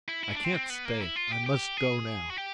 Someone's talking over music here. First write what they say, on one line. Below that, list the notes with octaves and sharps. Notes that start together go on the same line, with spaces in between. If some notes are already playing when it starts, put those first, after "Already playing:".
"I can't stay, I must go now...."
E4
C#4 E4
D4
C4
C4
B3
A#3
E4
F4
G4
G4
G#4
F#4
G4